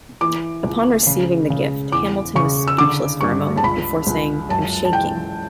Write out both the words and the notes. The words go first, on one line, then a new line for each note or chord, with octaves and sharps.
Upon receiving the gift, Hamilton was speechless for a moment, before saying I'm shaking.
E3 D6
C#2
C#3
C#3
E2 D6
C#3 C#6
E6
D3 D6
G2 C#6
A5
C#2 B5
C#2
F#2 A5
A5
E3 G5